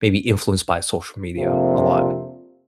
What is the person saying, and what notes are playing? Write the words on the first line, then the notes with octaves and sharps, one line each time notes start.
maybe influenced by social media a lot.
F2 C3 A#3 D4 F4